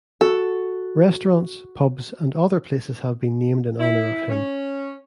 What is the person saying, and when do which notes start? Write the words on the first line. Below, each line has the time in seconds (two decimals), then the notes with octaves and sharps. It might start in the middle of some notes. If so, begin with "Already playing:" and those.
Restaurants, pubs and other places have been named in honour of him.
0.21 F#4 A4
3.79 E4
4.30 C#4